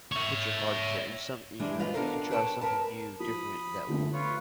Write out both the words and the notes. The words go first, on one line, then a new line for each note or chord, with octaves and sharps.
put your heart into it, and some you know, you can try something new, different that will
C#5 E5
E3 G3 G#3 D4
F4 B4 D#5 F5
B3 D4 F4 A4 A#4 C5
B4 C#5 G5 A5
A#4 B4 A5
F3 B5 D#6
D3 F3 A3
F4 B4 C#5